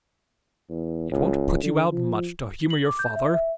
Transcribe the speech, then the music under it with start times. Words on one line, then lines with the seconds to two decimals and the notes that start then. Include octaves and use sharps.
It won't put you out much to humor your father!
0.69 E2
1.12 C#2
1.63 D3
1.92 F3
2.70 F#7
2.86 D6
2.99 G6
3.16 E5
3.34 E5